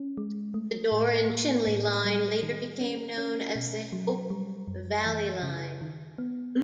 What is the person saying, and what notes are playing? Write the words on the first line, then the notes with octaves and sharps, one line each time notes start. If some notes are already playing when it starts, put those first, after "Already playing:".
The Dore and Chinley line later became known as the Hope Valley Line.
Already playing: C#4
G#3
A3
A2
A#3
A2
G3
D#3
C#4
C#4
B2
F#3
G3
F#2
E3
C#3
D#3
B3